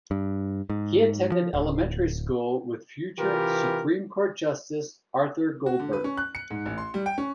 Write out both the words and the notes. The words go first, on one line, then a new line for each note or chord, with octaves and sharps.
He attended elementary school with future Supreme Court Justice Arthur Goldberg.
G2
G#2
F3
D1
C3 E3 F4 G4 A#4 B4
F#4
D3
B4
C#4
F#6
C#7
G#2
A1
C6
G3
G5
C#4